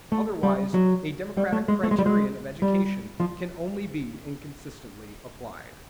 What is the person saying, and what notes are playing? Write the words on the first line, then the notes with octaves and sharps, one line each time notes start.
Otherwise a democratic criterion of education can only be inconsistently applied.
A3
G3
F#3
G3
A3
G#3
A3
G#3
G3
G#3
G3
F3